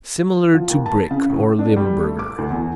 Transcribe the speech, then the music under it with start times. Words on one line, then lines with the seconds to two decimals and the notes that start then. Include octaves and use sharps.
Similar to Brick or Limburger.
0.54 F3
0.69 D#2
0.86 A5
1.11 C#3
1.30 A2
1.59 D4
1.76 G3
2.03 A3
2.19 D6
2.38 D2
2.50 E2